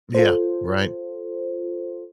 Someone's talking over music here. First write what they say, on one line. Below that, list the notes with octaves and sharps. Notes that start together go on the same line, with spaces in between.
Yeah. Right.
F4 A4 C5